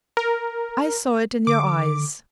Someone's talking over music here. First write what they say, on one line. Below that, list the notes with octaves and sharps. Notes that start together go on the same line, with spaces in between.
I saw it in your eyes.
A#4
D3 D6